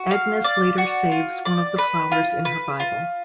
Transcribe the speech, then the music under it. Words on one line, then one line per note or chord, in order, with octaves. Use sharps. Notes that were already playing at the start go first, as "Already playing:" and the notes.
Agnes later saves one of the flowers in her Bible.
Already playing: F#4
F5
D5
F#4
F4
D5
B4
F4
B4
F4